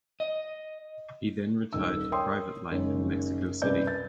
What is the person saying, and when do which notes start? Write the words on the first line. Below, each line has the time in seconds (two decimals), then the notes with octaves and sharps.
He then retired to private life in Mexico City.
0.20 D#5
1.73 D#1 D#3 E6
2.12 A#4 C#5 G5 C6 D#6
2.71 F#1 D#3 G#3 C#5
3.62 C2 F#2 B4 D5 G6
3.87 A6